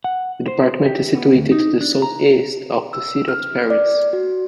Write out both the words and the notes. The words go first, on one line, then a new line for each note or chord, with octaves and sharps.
The department is situated to the southeast of the city of Paris.
F#5
C5
G4
B3
D2
D#4
D4
A#5
E6
F6
D5
F#4